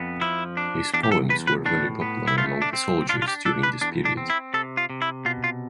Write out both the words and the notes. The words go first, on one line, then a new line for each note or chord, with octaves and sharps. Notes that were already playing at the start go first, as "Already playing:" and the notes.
His poems were very popular among the soldiers during this period.
Already playing: F2 B3
F3 E4
D4
E2 D4
G4
A4
E2 B4
B4
A2 D4
B3
E4
A3 F4
D4
C4
D4 F4
F4
G4
D4 A4
B4
E2 D4
D4
C4
E4
C3 A4
F4
C3
E4
B2 F4
F4